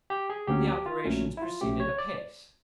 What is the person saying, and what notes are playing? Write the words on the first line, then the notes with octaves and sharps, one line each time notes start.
The operation proceeded apace.
G4
G#4
D2 D3 F#3 A#3 C#4 G4
G4
F4
A#1 A#2 F#3 A3 C#4
E4
F4
A#1 A#2 F#3 A3 C#4 G4
C#5
D5